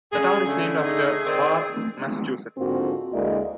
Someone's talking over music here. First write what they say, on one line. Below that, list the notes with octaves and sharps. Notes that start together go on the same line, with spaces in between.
The town is named after Barre, Massachusetts.
C#3 G#4 G#5
D3 A3
D#4 G#4
D#3 C4 D5
G#2 D3 A#3 C4 F4 F#4
D2 G#3 A#3 E4 D5 D#5